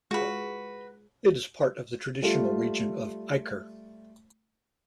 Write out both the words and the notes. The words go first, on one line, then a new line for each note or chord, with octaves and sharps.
It is part of the traditional region of Eiker.
G#3 F4 F#4 B4
G3 A3 F4